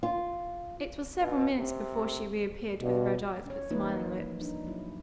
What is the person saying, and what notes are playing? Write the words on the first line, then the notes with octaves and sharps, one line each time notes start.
It was several minutes before she reappeared with red eyes, but smiling lips.
F4
B2
C3
G2 B2
C#4 C#5
E3 A#3 D#4 F4 B4
F3 G3
D4 D#4
F#3 E4